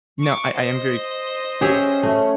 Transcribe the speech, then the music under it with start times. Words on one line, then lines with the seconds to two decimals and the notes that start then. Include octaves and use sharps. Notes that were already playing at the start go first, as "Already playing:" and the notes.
No, I I am very
0.19 C#6 D6
0.53 C5 D#5
1.61 C#4 G4 G#4 E5
2.03 A3